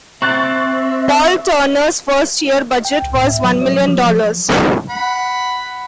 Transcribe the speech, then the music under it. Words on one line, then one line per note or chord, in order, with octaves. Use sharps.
Paul Turner's first year budget was one million dollars.
C4 E5 C#6 F#6 A6
G5
C#2
A2
E5
F#3
C#5
F#3
F3
F#5 B5